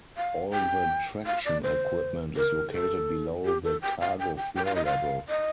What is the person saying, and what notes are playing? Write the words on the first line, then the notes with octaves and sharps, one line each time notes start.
All the traction equipment is located below the cargo floor level.
F5
G5
F5
D5
C5
A#4
A4
G4
A4
G5
F5
G5
G5
G5
F5
D#5
F5
D#5